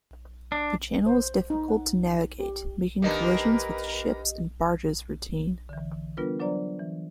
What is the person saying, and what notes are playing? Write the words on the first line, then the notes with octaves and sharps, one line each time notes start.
The channel was difficult to navigate, making collisions with ships and barges routine.
D4
C5
D#4
F#5
G4
D#3 A#3 D4 G4 A#4 B4 D#5
D3 E3
G3 B3 D4 F4 A#4 B4
F#3 D4 C5 D5 A#5
E3